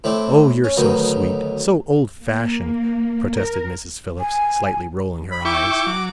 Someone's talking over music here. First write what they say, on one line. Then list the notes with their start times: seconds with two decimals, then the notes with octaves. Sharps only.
"Oh, you're so sweet, so old-fashioned!" protested Mrs. Phillips, slightly rolling her eyes.
0.04 A2 A3 C4 D4
0.64 C#4
0.77 D2 B2 D#3 F#3
2.22 A#3
3.37 A#4
4.20 G#5
5.31 B5
5.45 E4 G5 C#6 D6
5.87 F#3